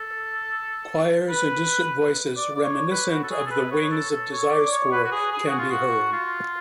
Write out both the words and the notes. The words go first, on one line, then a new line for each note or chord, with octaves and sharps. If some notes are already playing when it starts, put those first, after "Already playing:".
Choirs and distant voices reminiscent of the "Wings of Desire" score can be heard.
Already playing: A4
B4
D5
D5
C#5
B4
F#4
A4
G#4
A4
B4
C#5
A4
A4
C#5
D5
D5
C#5
B4
F#4
G#4
G#4
F#4
F4
F#4
F4